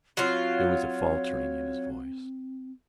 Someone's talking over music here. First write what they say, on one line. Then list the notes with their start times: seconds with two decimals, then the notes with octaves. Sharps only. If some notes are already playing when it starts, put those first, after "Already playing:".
There was a faltering in his voice.
0.17 F#3 C4 F4 C#5